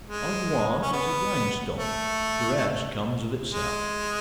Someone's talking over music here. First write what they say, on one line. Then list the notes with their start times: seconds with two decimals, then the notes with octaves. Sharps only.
All you want is a grindstone: the rest comes of itself.
0.06 G#3
0.82 C#4
0.92 B3
1.78 A3
3.51 G#3